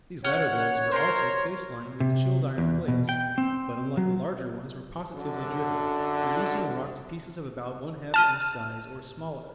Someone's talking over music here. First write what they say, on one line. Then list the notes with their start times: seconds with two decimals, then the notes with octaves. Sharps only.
These latter rolls were also face-lined with chilled-iron plates; but, unlike the larger ones, were positively driven, reducing the rock to pieces of about one-half-inch size, or smaller.
0.24 C#4 C#5 F#5
0.92 A#4 C5 C6
2.00 C3
2.58 E2
2.88 B2
3.09 G5
3.38 C4
3.97 F#3
5.14 F#2 D3
8.14 A5 F6 D#7